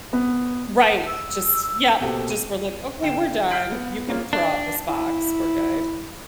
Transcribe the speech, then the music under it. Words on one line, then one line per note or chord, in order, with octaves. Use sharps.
Right, just Yep. Just for, like, "Okay, we're done. You could throw out this box. We're good."
B3
E6
B2 A#3 C4 G4 A4
D#7
D3 G5 E7
F6 G6 B6 C7 D7 F#7
B3
G#3 A#3 C#4 F4
D4
E4